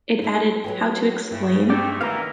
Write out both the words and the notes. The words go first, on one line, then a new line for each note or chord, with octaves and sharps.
It added How to Explain?
D#4 E4
F#3 B3 G4
G2 C#3 E4
G#2 A3 G4 D5 G5
D#3 E3 A3 B3 F5 A#5